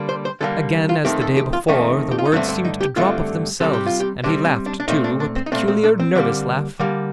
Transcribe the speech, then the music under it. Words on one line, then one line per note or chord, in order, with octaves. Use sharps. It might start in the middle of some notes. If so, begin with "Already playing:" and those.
Again, as the day before, the words seemed to drop of themselves, and he laughed, too, a peculiar, nervous laugh.
Already playing: D3 G3 A#3
C5
C5
D3 G3 A#3 A4
F4
F2 D#3 A3 C4 G4
A4
G4
F4
F2 D#3 A3 C4 D#4
G4
F4
D#4
G2 D3 A3 C4 D4
C4
D#4
G4
G2 D3 A3 C4 F4
C3 G3 C4 A4
G4
F4
G4
C3 G3 C4 D4
C4
D4
D4
A#2 A3 C4 D#4
D4
D4
C4
D#4
A#2 A3 C4 D4
C4
D4
C4
D3 G3 A#3
D3 G3 A#3